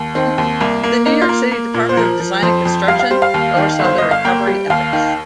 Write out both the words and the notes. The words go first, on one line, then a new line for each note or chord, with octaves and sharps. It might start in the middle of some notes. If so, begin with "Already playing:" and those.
The New York City Department of Design and Construction oversaw the recovery efforts.
Already playing: D#2
D#3 C4
D#2
C2 A#3
A#3
A#3 D#4
F4
A#3
A#3
A#2
C5
F3 A#4
F3
F2 C5
F2
G3 F5
F5
G3 C5
F5
D#2
D#3
G1 C5
G1 D#5
F5
A#3 G5
G3
D#2 F5
D#3